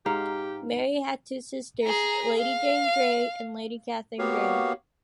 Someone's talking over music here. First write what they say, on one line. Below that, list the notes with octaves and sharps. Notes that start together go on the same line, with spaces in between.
Mary had two sisters, Lady Jane Grey and Lady Catherine Grey.
G#2 G4 F5 F#5 A#5
G#4 A#5
F5
A#3 B3 F#4 G4 C#5 F5